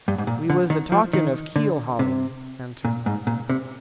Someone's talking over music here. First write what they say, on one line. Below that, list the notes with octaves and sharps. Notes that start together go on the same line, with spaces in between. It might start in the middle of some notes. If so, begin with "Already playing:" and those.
"We was a-talkin' of keel-hauling," answered Morgan.
G2
G#2
A#2
D3
D#3
F3
D#3
D3
C3
A#2
G#2
A#2
C3